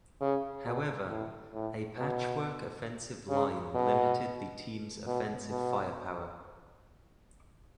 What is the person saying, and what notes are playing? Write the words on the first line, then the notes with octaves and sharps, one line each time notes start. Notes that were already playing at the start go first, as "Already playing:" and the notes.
However, a patchwork offensive line limited the team's offensive firepower.
C#3
B2
A2
A2
B2
C#3
B2
B2
B2